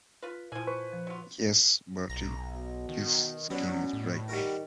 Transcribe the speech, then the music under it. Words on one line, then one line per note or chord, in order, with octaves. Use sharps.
Yes, Bertie, this scheme is bright.
F4 B4
A#2 F3 E4 G#5
B4 C5 C#6
F3
F#3 F4
B1 A#5
B2
D#3
B2 F#3 B3 C#4 D4
A2
D#3 G3 F#4 A#4